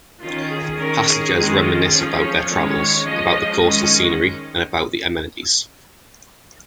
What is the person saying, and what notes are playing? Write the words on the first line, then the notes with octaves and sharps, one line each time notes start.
Passengers reminisce about their travels, about the coastal scenery, and about the amenities.
D#3 C#4 F4
G#4
D#3 C#4 A#4
G#4
D#3 G#3 C#4 G#4
F4
F3 C#4 G#4
C#5
D#3 G#3 C#4 C#5
F3 G#3 C#4 D#5
D#3 G#3 C#4